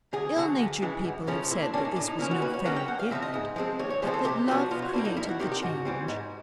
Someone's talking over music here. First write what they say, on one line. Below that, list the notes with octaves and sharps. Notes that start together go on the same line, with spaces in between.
Ill-natured people have said that this was no fairy-gift, but that love created the change.
D2 G#4
D3 F#3
D2
C#3 E3 G#3
F#2
C#3 F3 A3 C#4
A#2 E4
D4
G3 A#3 C#4 D4
D#4
A2 D4
D#4
F3 A#3 C#4 E4
F#4
D#2 B4
C#5
C#3 F#3 A#3 C#4 F#5
G5
D2 F#5
F5
C#3 F3 A3 C4 E5
D#5
G#2
F3 G#3 C4
D#2 C#5
C#5
C#3 F3 G#3 C4 C5
A4
C3 G4
F3 G#3 B3 D4 F#4
B2 F4
F#4
G3 A#3 D4 E4
D#4
F2 E4
F#4
C3 D#3 G4
G4
G#2 F#4
E3 G3 C4
G#2